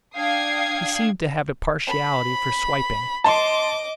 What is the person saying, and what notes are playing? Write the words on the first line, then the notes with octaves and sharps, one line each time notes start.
He seemed to have a partiality for swiping.
D4 F5 G5 D#6 G#6 C7
B5
D#5 A5 C6 D6